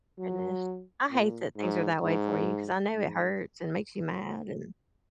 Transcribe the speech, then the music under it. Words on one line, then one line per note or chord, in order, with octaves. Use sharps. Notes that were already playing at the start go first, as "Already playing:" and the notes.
Goodness. I hate that things are that way for you 'cause I know it hurts and makes you mad, and
F#3
A#2
G#2
G#2
G#2